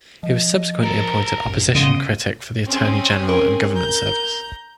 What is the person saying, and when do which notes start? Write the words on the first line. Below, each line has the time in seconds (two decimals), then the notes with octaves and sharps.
He was subsequently appointed opposition critic for the Attorney General and Government Service.
0.23 F3 D#5
0.83 A#4 A5 A#5
1.46 A1 F#2
1.75 E1 A2 C#3 B3 D#5 C6
2.66 C4 C#4 G#4
3.29 A#4
3.75 A#5 G6